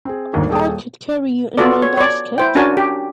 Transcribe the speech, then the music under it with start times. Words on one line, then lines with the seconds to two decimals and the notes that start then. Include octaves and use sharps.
I could carry you in my basket.
0.05 C4 G#4
0.33 D#1 G#1 D#2 G#2 D3 A#3
0.49 D#1 G#4 A4 G5 D#6
1.58 B3 F4 F#4 A4 D5
1.82 C#5
1.97 C#5 D5
2.38 E4 C5 G5
2.55 C#4 D4 F#4 A#4 G#5 A5
2.77 G4